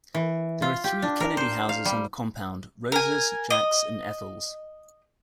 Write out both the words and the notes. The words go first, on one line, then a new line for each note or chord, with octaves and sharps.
There are three Kennedy houses on the compound: Rose's, Jack's, and Ethel's.
E3
F4
G4
D4
A#4
C5
F5
G3
A#4 G#5
D#5